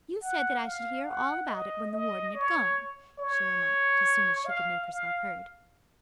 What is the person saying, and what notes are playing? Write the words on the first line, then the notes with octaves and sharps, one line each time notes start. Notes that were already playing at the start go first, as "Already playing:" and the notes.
"You said I should hear all about it when the Warden had gone," she remarked, as soon as she could make herself heard.
F#5
F5
F#5
D#5
D#5
C#5
C#5
F5
F5